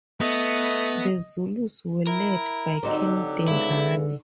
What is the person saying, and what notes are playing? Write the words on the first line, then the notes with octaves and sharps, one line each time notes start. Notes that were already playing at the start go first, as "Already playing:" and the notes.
The Zulus were led by King Dingane.
A3 B3 D#5
E4 A#4
D3 F#3 C4 D4 D#4 F#4 G4 C5
C#3 G#3 B3 E4